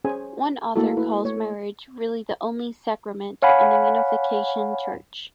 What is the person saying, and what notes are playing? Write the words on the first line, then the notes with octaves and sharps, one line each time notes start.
One author calls marriage "really the only sacrament" in the Unification Church.
C#4 G#4 C5 G#5
A3 A#3 E4 F#4 A4
E4 B4
A3 C#5
C#5 F5 F#5 G#5 B5